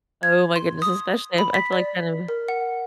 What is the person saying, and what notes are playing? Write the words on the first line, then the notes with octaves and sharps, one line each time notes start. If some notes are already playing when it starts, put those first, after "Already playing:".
Oh my goodness, especially if I feel like, kind of
G#6
C6
D#6
B5
B6
D5
A#4
F#5